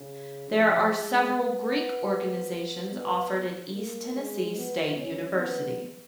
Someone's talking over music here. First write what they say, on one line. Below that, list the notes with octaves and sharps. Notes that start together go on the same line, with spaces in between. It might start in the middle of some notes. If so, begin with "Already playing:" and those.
There are several Greek organizations offered at East Tennessee State University.
Already playing: C#3
F3
G#3
B3
B3
A#3
G#3
B3
C#4
B3